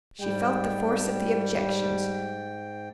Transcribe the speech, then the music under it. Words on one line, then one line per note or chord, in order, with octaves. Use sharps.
She felt the force of the objections.
G#2 G3 G5